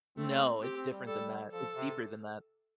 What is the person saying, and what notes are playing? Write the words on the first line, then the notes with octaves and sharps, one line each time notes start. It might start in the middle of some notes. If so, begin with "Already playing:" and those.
No, it's different than that, it's deeper than that.
A3 C4
C4 G4
C4
G3
G3 A4
F3 A4
C3